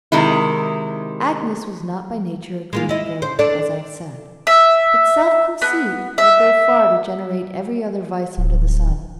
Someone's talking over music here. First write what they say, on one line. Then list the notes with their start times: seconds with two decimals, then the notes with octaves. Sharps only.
Agnes was not by nature a greedy girl, as I have said; but self-conceit will go far to generate every other vice under the sun.
0.12 C3 D#3 G#3 E4
2.73 G#3 A#3 F4
2.89 E4 D#5
3.22 C5
3.39 D4 A4 D5
4.47 E5
5.62 B3
6.18 E5
8.37 D1